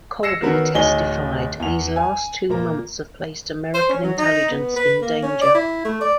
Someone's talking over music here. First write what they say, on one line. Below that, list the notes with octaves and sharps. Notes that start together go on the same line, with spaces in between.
Colby testified, These last two months have placed American intelligence in danger.
E6 A#6 C7 C#7 E7
D#3 B3 C#4 F#4 A#4 B4
D1 D#4 C#5 D#5 G#5 G7
E2 F7
G#5
A#2 A#3 A#5
C5
C#4
F#3
D#4
B3
B4
A#3
C#4
D5
E4
A3
D5